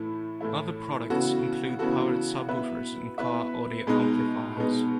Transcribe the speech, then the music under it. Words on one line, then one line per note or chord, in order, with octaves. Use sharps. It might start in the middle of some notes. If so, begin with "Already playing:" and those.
Other products include powered subwoofers and car audio amplifiers.
Already playing: A2 E3 A3 E4
A2 E3 A3 E4
C#3 E3 B3 F#4 A4
C#3 E3 B3 F#4 A4
B3 E4 B4 E5
B3 E4 B4 E5
B2 G#3 B3 D#4
B2 G#3 B3 D#4